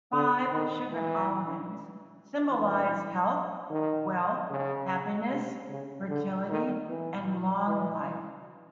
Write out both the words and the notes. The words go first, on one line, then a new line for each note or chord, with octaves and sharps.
Five sugared almonds symbolize health, wealth, happiness, fertility and long life.
D3
D#3
E3
E3
D#3
C#3
C3
C#3
D3
D#3
E3
E3